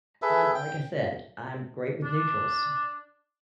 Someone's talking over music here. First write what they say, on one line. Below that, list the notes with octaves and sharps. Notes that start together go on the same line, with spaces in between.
Um, like I said, I'm great with neutrals
G#4 A4 B4 E5
G5
D4